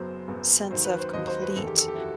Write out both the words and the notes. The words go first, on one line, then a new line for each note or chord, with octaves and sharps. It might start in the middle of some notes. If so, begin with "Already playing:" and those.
sense of complete
Already playing: F#1 F#2 F#3 B3 C5
F#1 F#2 F#3 B3
D#2 D#3 F#3 C5
B4
C5
D#2 D#3 F#3 D#5
C5
B4
F#1 E2 D#3 A4
G4
A4
G4
E4
F#4